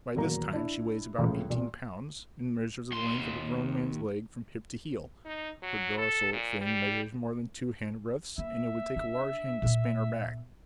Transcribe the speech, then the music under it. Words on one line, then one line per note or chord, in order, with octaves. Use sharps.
By this time she weighs about eighteen pounds, and measures the length of a grown man's leg from hip to heel; her dorsal fin measures more than two hand-breadths, and it would take a large hand to span her back.
D#1 E2 F#3 A#3 A#5
D4 E4
C#2 A2 C#3 F3
C2 A#2
D#2 C6
D#4
F#3
A4
A#2
G3
A#3 E5
D4
A#2 B3